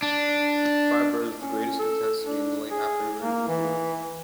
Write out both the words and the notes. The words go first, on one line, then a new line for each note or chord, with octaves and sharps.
Fires burn with the greatest intensity in the late afternoon and evening.
D4
C#4
A4
D4
G#4
A#3
E3